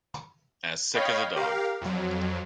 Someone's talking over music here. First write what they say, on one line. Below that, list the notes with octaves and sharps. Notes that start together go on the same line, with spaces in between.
As sick as a dog.
C#5 D#5 F5 G5 B5
G4 A#4 F5
F2 F#3